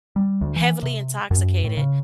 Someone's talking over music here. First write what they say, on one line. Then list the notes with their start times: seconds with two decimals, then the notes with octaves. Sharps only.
heavily intoxicated,
0.16 G3
0.41 D2
0.56 E3
0.83 C3
1.31 F#2
1.64 A2
1.77 C#3